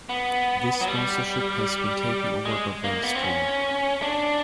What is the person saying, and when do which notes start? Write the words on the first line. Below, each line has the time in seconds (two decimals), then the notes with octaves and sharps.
This sponsorship has been taken over by Bankstream.
0.09 B3
0.81 F#3
0.88 G3
2.45 G#3
2.84 A#3
3.03 B3
3.15 C4
3.24 C#4
4.02 D4